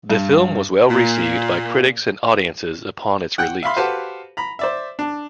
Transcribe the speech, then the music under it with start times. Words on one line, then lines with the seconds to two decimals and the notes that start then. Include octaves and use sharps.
The film was well received by critics and audiences upon its release.
0.10 G2
0.89 A#2
3.38 F#5 G5 F#6
3.63 E5 F5 B5 C6
3.76 F#4 G4 A4 B4 C5 F5
4.37 A#5 B5
4.59 C5 D5 E5
4.99 D4